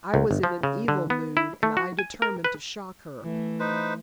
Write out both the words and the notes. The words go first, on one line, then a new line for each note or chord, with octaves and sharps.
I was in an evil mood, and I determined to shock her.
C#2
G1
F3
C#3
D3
B3
E4
A3
F#4
G#5
A#4
B4
E3 A3
D#4 B4 C5